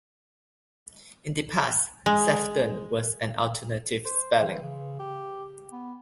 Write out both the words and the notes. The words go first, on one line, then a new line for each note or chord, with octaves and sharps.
In the past "Sephton" was an alternative spelling.
G#3
C5
E3
C#3
G4
B3